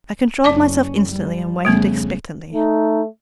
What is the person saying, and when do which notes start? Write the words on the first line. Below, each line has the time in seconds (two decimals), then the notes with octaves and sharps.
I controlled myself instantly and waited expectantly.
0.44 F#1 C#4 D5 A5 D6
1.10 G3
1.65 F2 C#3 G3 A3 B3
2.52 A3 D#4